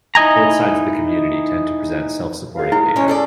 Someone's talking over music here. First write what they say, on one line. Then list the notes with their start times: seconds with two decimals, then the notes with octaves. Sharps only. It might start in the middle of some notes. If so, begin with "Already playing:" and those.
Both sides of the community tend to present self-supporting data.
0.15 D#4 E4 D#5 G#5 A#5
2.55 F#2 G#4 F5
2.72 G#3 E4
2.96 G#3 C#4 C#5
3.08 G#4 A4 D5